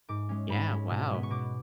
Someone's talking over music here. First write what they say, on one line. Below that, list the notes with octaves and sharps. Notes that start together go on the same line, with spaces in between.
Yeah, wow.
G#2 D6
G#3 C#4
G#2 B5
G#3 C#4
B2
G#3 B3
C#6
B2 D6